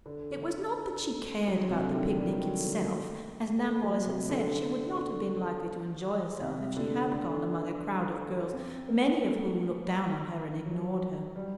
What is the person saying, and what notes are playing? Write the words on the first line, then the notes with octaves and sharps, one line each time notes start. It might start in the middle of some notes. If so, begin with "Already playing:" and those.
It was not that she cared about the picnic itself: as Nan Wallace had said, she would not have been likely to enjoy herself if she had gone among a crowd of girls many of whom looked down on her and ignored her.
D3
F#3
C3
D3
D#3
F#3
G3
D#3
F#3
A#3
A3
A3
F#3
C3
D3
C3
D3
D3
C4
A#3
A3
F#3
G3